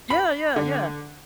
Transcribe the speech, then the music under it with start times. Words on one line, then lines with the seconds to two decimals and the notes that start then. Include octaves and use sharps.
Yeah, yeah, yeah.
0.10 B5
0.56 D3